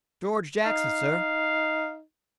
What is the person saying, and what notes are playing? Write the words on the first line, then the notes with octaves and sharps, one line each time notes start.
"George Jackson, sir."
D#4 F5